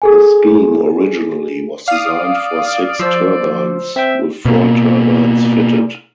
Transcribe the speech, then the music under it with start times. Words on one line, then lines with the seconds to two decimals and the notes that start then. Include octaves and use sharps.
The scheme originally was designed for six turbines, with four turbines fitted.
0.02 G#4 A4 G#5
1.88 D5 F5 D#6
2.99 F3 C5 E6 C7
3.96 C4 E5 G5
4.45 B2 A#3